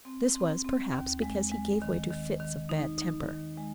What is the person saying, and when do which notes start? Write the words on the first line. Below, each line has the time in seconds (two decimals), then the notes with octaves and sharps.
This was, perhaps, because he gave way to fits of bad temper.
0.05 C4
0.35 C4
0.65 C4
0.93 D#2
1.22 G#3
1.52 G#3
1.82 D#3
2.10 D#3
2.40 D#3
2.69 D#4
2.98 D#4
3.28 D#3
3.58 G#3